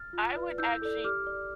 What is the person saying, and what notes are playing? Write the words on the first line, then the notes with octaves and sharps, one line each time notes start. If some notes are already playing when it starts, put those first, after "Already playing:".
I would actually
Already playing: F6 A6
F4
B4 D5
E4 E6 G6
A4 D5
G4 D6 F6
D5